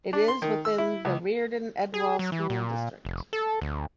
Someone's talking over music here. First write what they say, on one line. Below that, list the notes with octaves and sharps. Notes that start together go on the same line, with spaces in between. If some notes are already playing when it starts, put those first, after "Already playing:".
It is within the Reardan-Edwall School District.
D4
C6
D#3
E6
E4
C#2
G#4
F#3
E3
A#2
F1
A4
D2